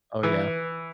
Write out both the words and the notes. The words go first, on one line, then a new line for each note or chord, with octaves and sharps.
Oh yeah.
E3